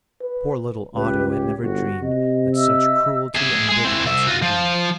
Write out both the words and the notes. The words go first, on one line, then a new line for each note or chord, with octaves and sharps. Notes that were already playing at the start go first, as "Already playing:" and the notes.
Poor little Otto had never dreamed that such cruelty and wickedness could be.
B4
C#2 G4 B4
G4 C#5
G1 F#4
C3 D#5
D#5 E5 E6
G#4 E5
G#3 G#4
C4 E4
C2 E5
F4 F#4
F3